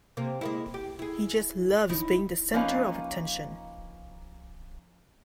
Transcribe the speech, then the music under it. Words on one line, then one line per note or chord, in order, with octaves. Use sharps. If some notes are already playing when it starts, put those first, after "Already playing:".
He just loves being the center of attention.
C3 A#3
G#3 A#3 E4
G4
E4 G#4
F#2 D#4 E4
F3 A#3 C#4 D#4 B4 F5